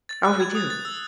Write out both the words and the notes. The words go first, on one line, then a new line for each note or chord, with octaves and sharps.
Oh, we do,
A6
F#6
G#6
D#6
A6
E6